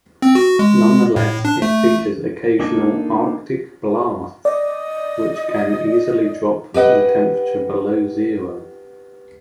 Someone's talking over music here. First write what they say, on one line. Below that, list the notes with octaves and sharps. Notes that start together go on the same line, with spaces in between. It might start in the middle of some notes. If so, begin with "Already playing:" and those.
Nonetheless, it features occasional 'arctic blasts' which can easily drop the temperature below zero.
C4
F#4
G#3
A2
D4
A3
A#3 D4 D#4 A4 G#5
D5 D#5
G4 B4 D#5 F#5